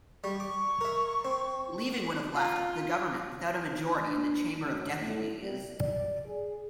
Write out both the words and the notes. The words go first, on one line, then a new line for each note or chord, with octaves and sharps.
Leaving would have left the government without a majority in the Chamber of Deputies.
G3 C#6
D6
A#4 E5
C4
F4
D4
F#2
A2
G3
D5
G#4